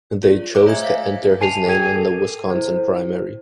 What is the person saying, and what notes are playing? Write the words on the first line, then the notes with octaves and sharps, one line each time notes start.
They chose to enter his name in the Wisconsin primary.
F4 G#4 D5
C5 C#5 D#5 D6 F#6
A3 G#4 D#5 E5 G#5 G#6
E5 F5 B6
G#5 A5 C7 D#7 F7
G#4 A#4 G5 G#6 D#7
A4
E4 C5